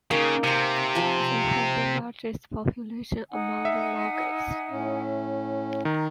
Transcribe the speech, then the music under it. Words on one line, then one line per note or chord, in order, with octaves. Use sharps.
They have the largest population among the Nagas.
C#3 A#3 D#4 G5
C3 G#5 A#5
F3 G#5 A5
D#4 F#5 G#5
E5
A2 C#4
D#3 A#5